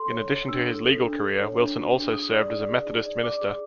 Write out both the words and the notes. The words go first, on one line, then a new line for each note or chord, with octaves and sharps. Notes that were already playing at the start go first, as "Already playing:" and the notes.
In addition to his legal career, Wilson also served as a Methodist minister.
Already playing: A4 C6
C#5
C#5
D4 E6
A4
A4
D4
A4
C#5
D4
F#4
D4
G#4 D#6
D5
D5
G#4
D#4
D5
D5 D6
G#4